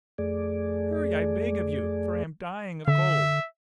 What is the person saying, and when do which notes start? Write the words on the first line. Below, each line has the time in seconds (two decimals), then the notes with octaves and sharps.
"Hurry, I beg of you, for I am dying of cold."
0.18 F2 A3 G#4 D5
2.88 D3 E5